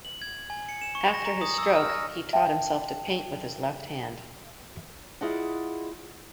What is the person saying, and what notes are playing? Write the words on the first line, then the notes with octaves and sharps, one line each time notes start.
After his stroke, he taught himself to paint with his left hand.
F#7
G#6
G#5
C#7
E7
C#6
A#6
A#5
D#6
E6
F6
A#6
E5 G5 A5
E4 F4 G#4 D5 D#5 F#5